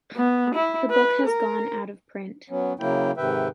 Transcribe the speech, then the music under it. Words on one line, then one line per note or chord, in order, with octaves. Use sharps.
The book has gone out-of-print.
B3
E4
B4
A#4
F#3 B3 C#4
C#3 F#3 A#3 E4 G5
G#2 C3 D#3 B4 E5 G5